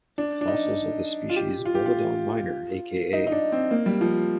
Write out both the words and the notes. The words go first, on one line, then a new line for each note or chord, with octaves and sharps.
Fossils of the species "Bolodon minor", aka.
D4
D4
D#4
F4
G4
F4
G4
F4
D#4
D#4
D4
C4
A#3
G3
F3